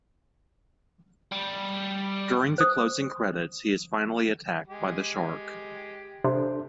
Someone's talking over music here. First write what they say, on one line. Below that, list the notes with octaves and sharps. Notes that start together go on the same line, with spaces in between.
During the closing credits, he is finally attacked by the shark.
G3
C5 D#6
G#3 G4
C3 D4 A4 C5